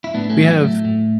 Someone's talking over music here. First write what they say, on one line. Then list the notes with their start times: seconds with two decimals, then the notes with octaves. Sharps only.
We have
0.04 E4
0.14 A2 B3 D4
0.29 A3 C#4
0.38 F#3
0.45 B3
0.60 A2 A3
0.85 A2